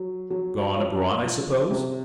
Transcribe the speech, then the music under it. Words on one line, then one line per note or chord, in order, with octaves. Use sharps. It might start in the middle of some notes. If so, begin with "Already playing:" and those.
"Gone abroad, I suppose?"
Already playing: F#3
F#3
F3 C#5
F3
C3